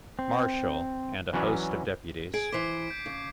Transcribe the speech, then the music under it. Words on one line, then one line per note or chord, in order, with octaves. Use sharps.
Marshal and a host of deputies.
C4
E3 F#3 C#4 B4 D5
G#4 G#6 D7
E3 C5 D6 B6 C7
G6
C#3